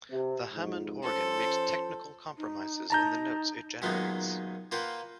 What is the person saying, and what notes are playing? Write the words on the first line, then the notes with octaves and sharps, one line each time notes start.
The Hammond organ makes technical compromises in the notes it generates.
C3
F2 G#2
F3 C#4 A4 C5
D#4
D#4 A5 A#5 G6
F#2 A#2 D#3 G#3 B3 D#4
A#3 F4 B4 F#5 G5